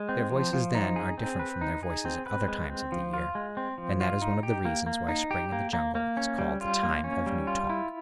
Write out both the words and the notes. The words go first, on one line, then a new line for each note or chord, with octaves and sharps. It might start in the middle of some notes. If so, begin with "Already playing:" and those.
Their voices then are different from their voices at other times of the year, and that is one of the reasons why spring in the Jungle is called the Time of New Talk.
Already playing: G#3
C4
F3
F3
D#4
G#4
C4
B4
D#4
G#4
C4
B4
G#3
C4
F3
F4
G#3
C4
F3
F4
D#4
G4
A#3
A#3
D#4
G4
A#3
A#3
A#3
C#4
G3
F4
A#3
C#4
G3
F4
E4